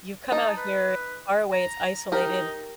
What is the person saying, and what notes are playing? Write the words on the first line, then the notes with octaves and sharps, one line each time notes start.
You've come out here far away, it's isolated
D#4 A5
B4
A#5
D#4 G4 A#4